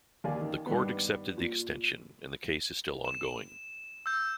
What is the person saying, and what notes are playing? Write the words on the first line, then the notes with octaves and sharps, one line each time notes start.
The court accepted the extension and the case is still ongoing.
D#2 A#3 G4 D5 G#5
D#3
G2 D#3 B3
A#2
E7
E6 G6